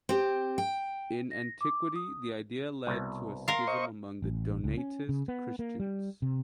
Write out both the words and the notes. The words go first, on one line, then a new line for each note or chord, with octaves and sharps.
In antiquity, the idea led to a schism among the Donatist Christians.
C4 G4
G5
A#6
D6
D#6
C2 B2
A#4 F5 C6
C5 D#5 C#6
A1
C#2
C#4
C#3
B3
A#3
G3
C3